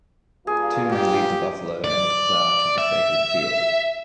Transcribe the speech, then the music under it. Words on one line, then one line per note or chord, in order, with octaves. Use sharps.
Two men lead the buffalo and the plough to the sacred field.
G2 A#3 F4 G#4
G4
D5
E5